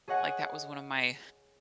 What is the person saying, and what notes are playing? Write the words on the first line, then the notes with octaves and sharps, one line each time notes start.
like, that was one of my
G#4 C#5 D#5 F#5 G#5